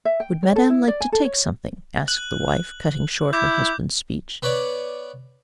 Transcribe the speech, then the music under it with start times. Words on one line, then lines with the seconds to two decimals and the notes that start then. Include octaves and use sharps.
"Would Madame like to take something?" asked the wife, cutting short her husband's speech.
0.05 E5
0.20 G5
0.43 C#5
0.56 A4
0.70 E4
0.88 D5
1.00 G#5
1.12 A4
1.24 C#5
2.08 F#6 F#7
3.33 E4 D6 G6
4.43 B3 B4 C#5 D5